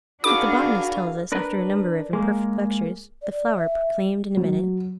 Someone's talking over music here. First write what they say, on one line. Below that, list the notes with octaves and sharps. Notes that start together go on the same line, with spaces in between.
What the botanist tells us after a number of imperfect lectures, the flower proclaimed in a minute.
D4 D#4 F#4 G#4 A#4 F5 B5 D6
D4 A#4 B4
G#3 A#3
D5
E5
F#3